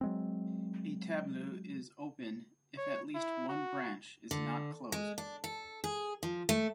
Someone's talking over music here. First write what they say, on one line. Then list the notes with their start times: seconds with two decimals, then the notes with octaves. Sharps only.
A tableau is open if at least one branch is not closed.
0.01 F#3 G#3 C4
2.78 C#5
3.15 E4
3.49 F#4
4.31 D3
4.92 G#3
5.18 D4
5.44 A4
5.84 G#4
6.23 F3
6.49 A3